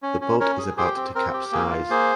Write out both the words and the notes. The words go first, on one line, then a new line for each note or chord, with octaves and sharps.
The boat is about to capsize.
C#4
C#4
C#4 A#4 C#5
G#4
G4 G#4 C5
C4
C4 A#4
G4
A#3 G#4
F4
A#3 G#4 C5